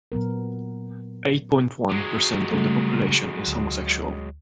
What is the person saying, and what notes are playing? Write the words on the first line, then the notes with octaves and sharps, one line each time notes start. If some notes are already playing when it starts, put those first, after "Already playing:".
Eight-point-one percent of the population is homosexual.
A#2 F#3 B3 A#4
F#3 G#3
C#3 G3 A3
D2